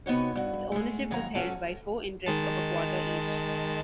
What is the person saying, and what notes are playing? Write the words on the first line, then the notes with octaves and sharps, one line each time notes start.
Its ownership was held by four interests of a quarter each.
C3 B3 D#4 F#4 C#5
G2 F#4
G#3 A3
D#2 C#3 F#3 C#5 A#5
G#2 C#4 F#4 A4
D#3 G#3 A5